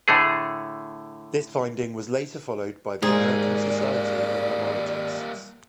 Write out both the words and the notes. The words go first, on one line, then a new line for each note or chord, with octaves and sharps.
This finding was later followed by the American Society of Mammalogists.
A2 D3 A3 G#4
G#2 G3 A#3 G#4 D5